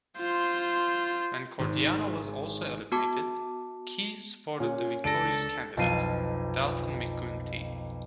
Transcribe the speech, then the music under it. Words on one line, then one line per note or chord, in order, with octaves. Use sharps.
When Cordiano was also eliminated, Keyes supported the victorious candidate, Dalton McGuinty.
F4 C5
G#1
B3 F#4 A5 D6
A#2 C#4
C#2 D4 A4 A#6 D7
B1 F2 F4 A5 C7 D#7